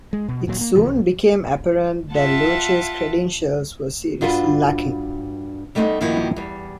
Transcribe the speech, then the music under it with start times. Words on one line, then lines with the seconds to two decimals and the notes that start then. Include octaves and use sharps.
It soon became apparent that Leuchter's credentials were seriously lacking.
0.13 G#3
0.28 B2
0.47 D#1 A#2 F#3
0.61 A#3
0.75 D2 C3 E3 F3
0.87 B1
2.13 F4 E5 F#5 A5
4.21 G2 D4 F4 F#4 A#4 B4
5.75 G3 A3 B3 D4 D#4 C5
6.01 G2 D#3 F3 A#3 E4 F#4
6.36 E2 G3